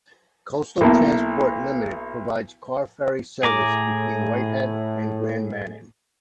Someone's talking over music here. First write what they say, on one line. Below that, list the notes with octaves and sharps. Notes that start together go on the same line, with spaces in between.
Coastal Transport Limited provides car ferry service between White Head and Grand Manan.
B1 A#3 E4 A5
A2 G#4 A#5 D6